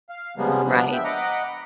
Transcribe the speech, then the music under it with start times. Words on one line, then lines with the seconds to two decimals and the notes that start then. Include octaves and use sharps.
Mm right.
0.09 F5
0.37 C#3 F3 G3 G#3 A#3 B3
0.65 F3 B3 D4
0.93 E5 G5
1.04 D#5 F#5 A#5 B5 D6